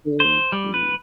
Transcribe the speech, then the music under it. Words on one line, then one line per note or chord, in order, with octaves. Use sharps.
Cool, cool.
C5
G3
B4